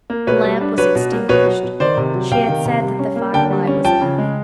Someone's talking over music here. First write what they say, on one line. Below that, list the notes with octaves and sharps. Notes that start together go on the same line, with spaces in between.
The lamp was extinguished; she had said that the firelight was enough.
A#3
B2 B4 C#5
G3
D4
F#3 B4 C#5
B2
A#3
B2 B4 C#5
F#3
B2
D#3 C5 D5
C3
F#3
C3 F5 G5
D#3
C3
G3
C#4
A#3
D3 G5 A5
G3
C#4
F3 G5 A5
C#3
G#3